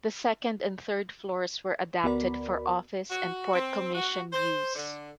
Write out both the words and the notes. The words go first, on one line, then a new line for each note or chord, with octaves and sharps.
The second and third floors were adapted for office and Port Commission use.
D2 B3 F#4 A#4 D5 B5
F#4
C4
F#4
C5
D3